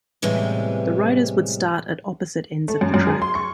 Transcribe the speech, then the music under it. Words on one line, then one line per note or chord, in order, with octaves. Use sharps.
The riders would start at opposite ends of the track.
A2 C3 E3 G3 G#3 B3
A3
F#2
F#2
G#4
C6
C#6